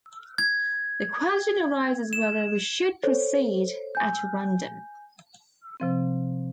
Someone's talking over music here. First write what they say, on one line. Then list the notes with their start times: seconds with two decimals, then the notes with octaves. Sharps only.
The question arises whether we should proceed at random.
0.38 G#6
2.13 E7
3.04 A4 C5 C#5
3.95 G#5 G6
5.80 C3 F3 C4